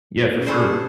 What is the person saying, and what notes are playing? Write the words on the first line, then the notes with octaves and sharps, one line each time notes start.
Yeah, for sure.
C#3
G#4 A4 C5 D5 B5 C#6
G4